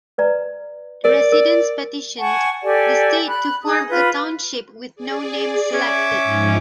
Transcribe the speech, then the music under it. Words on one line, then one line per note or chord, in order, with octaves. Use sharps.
The residents petitioned the state to form a township with no name selected.
B4 D5 A#5
A#4 C#5 D5
A#4
F#5 G#5 A5 C#6
G4 A4 D5 G#5
B5 F#6
D#4 G#4 D#6
F4 B4 B5
G#4 D5
C#4 E5 D6
G#2 F3 D#4